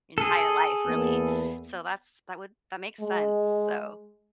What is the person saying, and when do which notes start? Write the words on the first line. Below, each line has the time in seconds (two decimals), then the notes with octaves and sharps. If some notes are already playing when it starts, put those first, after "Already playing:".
entire life, really, so that's that would that makes sense. So,
0.18 G#4 A4
0.86 E2 A#3 B3
3.00 G#3